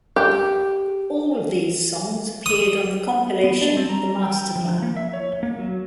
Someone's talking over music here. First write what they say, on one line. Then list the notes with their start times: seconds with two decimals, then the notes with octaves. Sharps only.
All these songs appeared on the compilation "The Masterplan".
0.16 G4
2.46 D#6
3.44 B3
3.61 D4
3.77 C4
3.89 A#5
4.22 G5
4.55 F3
4.82 A#3
4.97 E5
5.13 C#5
5.43 A#3
5.59 F#3